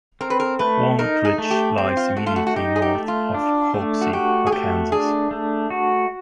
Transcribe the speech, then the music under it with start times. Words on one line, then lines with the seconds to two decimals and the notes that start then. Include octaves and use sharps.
Walnut Ridge lies immediately north of Hoxie, Arkansas.
0.21 C4 A#4
0.30 B4
0.40 A#4
0.59 A3 B4
0.99 D#4 A#4
1.25 G#4
1.38 A3
1.51 G4
1.77 C4 G4
1.97 F4
2.16 A3 F#4
2.26 F4
2.36 F#4
2.47 F#4
2.56 D#4 G4
2.76 G#4
2.82 G4
2.95 A3
3.08 F4
3.34 D4
3.74 A3
4.01 F#4
4.13 F#4 G4
4.47 G#4
4.52 A3 G4
4.92 D4 G#4
5.31 A3
5.70 F#4